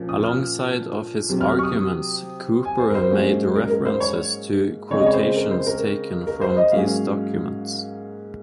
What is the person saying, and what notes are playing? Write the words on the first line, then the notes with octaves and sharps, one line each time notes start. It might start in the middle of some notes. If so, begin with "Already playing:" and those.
Alongside of his arguments Cooper made references to quotations taken from these documents.
Already playing: A#2 F3 A#3 C#4
D#6
F6
C3 F#3 C4
F6
F6
C#6
D#6
G#5
C5
A#4
C5
G#2 F#3 A#3 C#4
A#4
A#4
C5
C#5
C#3 G#3 C4 C#5
D#5
C#5
C5
A#4
C5
A#4
A#4
C5
D#5
G#2 F#3 A#3 C#4 F5